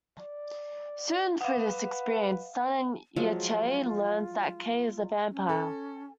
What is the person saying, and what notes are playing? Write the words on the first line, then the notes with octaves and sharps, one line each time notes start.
Soon, through this experience, Son and Yi-Che learn that Kei is a vampire.
D5
B4 F5 F#5
F3 F#3 G#3 F4
C#4
A4